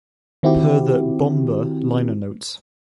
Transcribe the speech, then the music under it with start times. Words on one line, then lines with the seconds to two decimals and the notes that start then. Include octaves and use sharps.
Per the "Bomber" liner notes.
0.43 D#3 C4 E4 F#4 G4